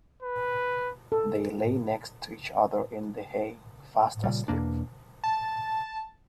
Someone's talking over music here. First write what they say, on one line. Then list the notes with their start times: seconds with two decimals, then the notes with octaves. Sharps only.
They lay next to each other in the hay, fast asleep.
0.23 B4
1.12 A4
4.24 A#2 C#3 G3
4.48 E2 B2 A#3 D4
5.24 A5